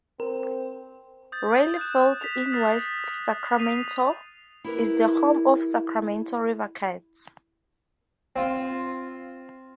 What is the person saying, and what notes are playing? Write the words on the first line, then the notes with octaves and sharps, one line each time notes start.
Raley Field in West Sacramento is the home of Sacramento River Cats.
C4 A#4
D#6 G6 A6
F#6 G6 E7
B6 F7
D#6 F6 A6 C7
D#6 B6 C7 D#7 F7
E4 G4 A#4 B4
C4 F4